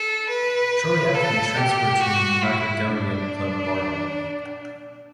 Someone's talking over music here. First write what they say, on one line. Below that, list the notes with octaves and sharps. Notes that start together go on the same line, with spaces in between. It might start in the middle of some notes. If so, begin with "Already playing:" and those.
Shortly after he transferred to Macedonian club Vardar.
Already playing: A4
B4
A4
G4
F#4
E4
D4